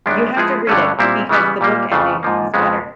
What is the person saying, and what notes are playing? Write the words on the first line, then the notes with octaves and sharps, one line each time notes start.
you have to read it because the book ending was better.
F#2 D#3 G#3 B3 D4
F3 G#3 B3 E4 G#4
G2 D3 F#3 A3 C#4
A#2 G3 C4 E4
C#3 E3 G3 B3
A#2 G3 A#3
F2 C#3 E3 A3
G#2 F3 A#3
F2 C#3 F3 G#3 B3